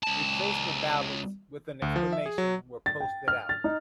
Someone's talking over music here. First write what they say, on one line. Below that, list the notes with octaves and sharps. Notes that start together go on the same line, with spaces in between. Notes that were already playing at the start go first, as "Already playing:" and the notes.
Replacement ballots with an explanation were posted out.
C#2 A5
D2
F3
E5
G#4
F#3
A6
G5
F6
A6
D#4